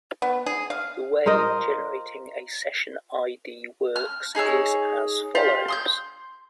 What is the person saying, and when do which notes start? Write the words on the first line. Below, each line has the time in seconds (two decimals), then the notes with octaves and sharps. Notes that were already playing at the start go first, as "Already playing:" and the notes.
The way generating a session id works is as follows.
0.22 B3
0.46 G#4
0.70 F5
1.26 F4 A#4 C5 D#5
3.96 F6
4.35 D#4 G#4 C#5 E6
5.35 F4 G4
5.68 C6 D#6 G6